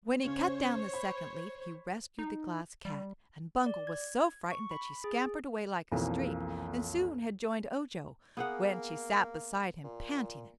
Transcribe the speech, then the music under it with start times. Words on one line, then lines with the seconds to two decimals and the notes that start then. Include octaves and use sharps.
When he cut down the second leaf he rescued the Glass Cat, and Bungle was so frightened that she scampered away like a streak and soon had joined Ojo, when she sat beside him panting and trembling.
0.24 C#3 C#4 C5 C#5
0.94 B5
2.19 D#4
2.85 G3
3.66 D5
3.87 G#6
4.51 C#6
4.71 B5
5.04 G#4
5.92 B1 F2 E3 A#3
8.37 A#3 B3 G#4 F#5
9.84 A#2